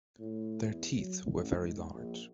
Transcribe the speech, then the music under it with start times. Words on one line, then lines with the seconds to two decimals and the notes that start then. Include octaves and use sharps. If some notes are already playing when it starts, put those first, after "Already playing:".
Their teeth were very large.
0.19 A2
0.63 E2
0.96 F#3
1.28 A1
1.61 G#2
1.93 A#1